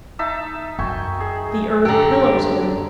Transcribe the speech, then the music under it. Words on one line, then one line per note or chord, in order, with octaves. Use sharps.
The earth pillows him.
D#4 E5 A5
F#2 G5 G#5 C#6
G#4
D3 G4 A4 A#5